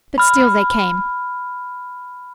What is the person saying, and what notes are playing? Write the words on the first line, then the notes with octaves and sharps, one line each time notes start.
But still they came.
B5 F6